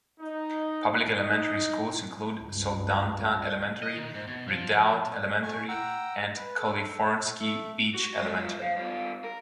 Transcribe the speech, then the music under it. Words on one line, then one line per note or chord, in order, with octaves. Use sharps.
Public elementary schools include Soldotna Elementary, Redoubt Elementary, and Kalifornsky Beach Elementary.
D#4
D#4
C#2 G2
D#5
D#3
G#2
B2
F3
A3 G#5 C#6
F#5 G5 A#5 E6
B4
A4
A4
A3 E5
F#4
G#3 A4
G#3 F4
C5 F5
G2 F4
A#4